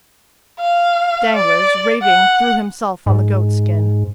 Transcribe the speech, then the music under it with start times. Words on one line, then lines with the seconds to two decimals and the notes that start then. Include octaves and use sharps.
Danglars, raving, threw himself on the goat-skin.
0.60 F5
1.36 D5
2.03 F#5
3.06 G#2